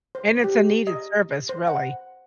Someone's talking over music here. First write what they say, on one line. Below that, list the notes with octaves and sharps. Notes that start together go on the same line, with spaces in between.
And it's a needed service, really.
C5
G4
D#5
C5
F#5